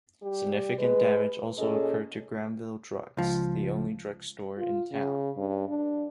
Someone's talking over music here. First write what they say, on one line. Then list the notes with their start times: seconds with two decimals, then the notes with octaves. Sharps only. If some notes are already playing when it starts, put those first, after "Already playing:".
Significant damage also occurred to Granville Drugs, the only drug store in town.
0.23 G3 G4
0.79 G#3 B4
1.58 A#2 C#4 G#4 A4 D#5
3.17 C#2 F3
4.57 F4
4.92 C#3
5.37 G2
5.69 D4